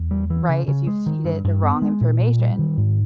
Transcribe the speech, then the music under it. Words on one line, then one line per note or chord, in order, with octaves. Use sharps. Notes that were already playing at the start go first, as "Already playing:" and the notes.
right, if you feed it the wrong information.
Already playing: E2
G3
E3
C#3
C#3
G#3
D#3
G2
G2
B3
G#3
A#2
A#2
G3
D#3
G#2